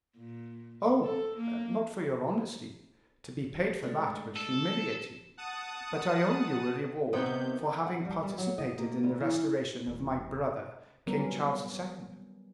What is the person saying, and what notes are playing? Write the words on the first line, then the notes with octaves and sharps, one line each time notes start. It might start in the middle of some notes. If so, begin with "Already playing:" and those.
"Oh, not for your honesty, to be paid for that would humiliate you; but I owe you a reward for having participated in the restoration of my brother, King Charles II."
A#2
A4
A#3
G#3 A3 D4
A4
F#5 A5 D#6
C3 D#3 B3 C5 G6
F#5
G3
G3
F#3
D#5
A#3
D2
E3
E1
D#3 F#3 G3 B3 C#4 A#4